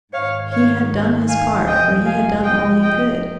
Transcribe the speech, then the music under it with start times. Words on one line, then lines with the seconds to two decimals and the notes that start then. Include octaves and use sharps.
He had done his part, for he had done all he could.
0.13 G#2 D#3 C#5 F5
0.51 C#5 F5
1.28 F5 G#5
1.66 F2 C3 F3 D#5 G5
2.05 F5 G#5
2.43 D#5 G5
2.82 D#5 G5